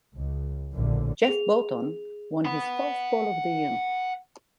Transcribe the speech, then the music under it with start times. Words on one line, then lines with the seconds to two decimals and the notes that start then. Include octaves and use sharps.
Jeff Burton won his fourth pole of the year.
0.16 C#2
0.73 A#1 F#2 A2 D3
1.25 G#4 F7
2.45 F#5 B5